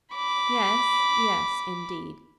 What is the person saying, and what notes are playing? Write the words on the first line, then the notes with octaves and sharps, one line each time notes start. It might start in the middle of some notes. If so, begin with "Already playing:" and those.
'Yes, yes, indeed.
B5 D6